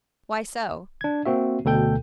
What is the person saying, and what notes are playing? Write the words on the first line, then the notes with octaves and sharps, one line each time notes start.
"Why so?"
D4 G#6
A#3 C4 F#4 E5
D2 B2 A4 G5 G6